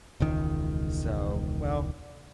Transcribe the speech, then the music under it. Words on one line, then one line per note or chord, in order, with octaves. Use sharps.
so, well,
E1 C#2 D#3